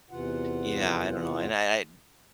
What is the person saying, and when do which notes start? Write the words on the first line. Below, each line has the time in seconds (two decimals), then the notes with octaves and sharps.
Yeah, I don't know, and I I
0.11 E2 C3 E3 F4 F#5